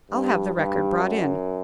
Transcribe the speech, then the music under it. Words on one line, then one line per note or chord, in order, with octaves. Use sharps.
"I'll have the record brought in."
G2
G2
F#2